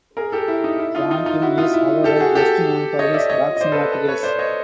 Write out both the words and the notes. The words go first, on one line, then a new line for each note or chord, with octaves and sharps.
Frauenheim is, however, best known for his boxing articles.
G#4 A#4
G4 A4
E4
D#4
E4
D#4 F4
D#4 F4
D#4 F4
E4 F#4
D#4 F4
E4
G4 A4
F#4 G#4
G4 A4
C#5 D#5
D5 E5
C#5 D#5
D#5
C5 D5
A4 B4
A4 B4
B4 C#5
C5 D5
C#5 D#5